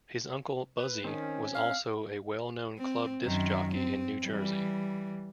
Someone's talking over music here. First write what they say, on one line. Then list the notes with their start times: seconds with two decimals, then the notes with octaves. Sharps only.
His uncle, "Buzzy", was also a well-known club disc jockey in New Jersey.
0.79 B4
1.04 D#3 C4 C#4
1.55 F5
2.78 C4
3.25 F#2 D#3
3.75 C4
4.24 E3 G3